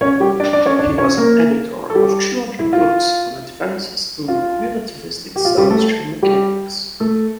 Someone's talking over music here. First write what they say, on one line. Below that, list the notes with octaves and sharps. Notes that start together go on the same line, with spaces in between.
He was an editor of two other books on advances in relativistic celestial mechanics.
C#4 C#5
G3 G4
D4 D5
D4 D5
C#4 C#5
D4 D5
C#4 C#5
A#3 A#4
A4
G3 G4
E4
F4
F4
G4
F4
G3 G4
A3 A4
G3 G4
A3 A4